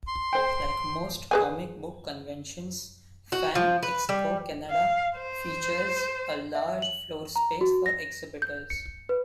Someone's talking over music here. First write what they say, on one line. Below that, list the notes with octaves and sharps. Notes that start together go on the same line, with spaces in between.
Like most comic book conventions, Fan Expo Canada features a large floorspace for exhibitors.
C6
C5 G5
G#4 B4 G#5
F#4
F3
B4
G3
F5
C5
E5
F#7
A#5
F#4
A#6
G6
C#7
B4